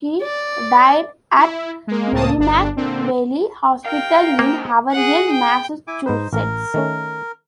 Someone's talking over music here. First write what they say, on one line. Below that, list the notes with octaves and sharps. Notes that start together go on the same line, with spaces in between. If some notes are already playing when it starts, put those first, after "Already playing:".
He died at Merrimack Valley Hospital in Haverhill, Massachusetts.
D5
E4
G#3 A#3
C#2 A2 C#3 A#3 A5 D#6
G1 D4
A#2 D3 C4
D#3 G4 A#4 F5 G5
G#3 A#3 C5
G#4 F#5
G5
E4 G#5 D6
G#2 D#4 B4 C5
A1 A#4
D#3 A3 C#4